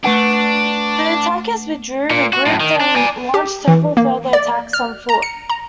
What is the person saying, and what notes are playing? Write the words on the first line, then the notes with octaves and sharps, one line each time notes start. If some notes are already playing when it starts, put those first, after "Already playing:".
The attackers withdrew, regrouped, and launched several further attacks on foot.
A3 D4 B4 F#5
A#2
F#4
F#2 A2
D#3
D4
D5 G#5
G4
E3
A#3
D5
F6
A#5
C#7
A#5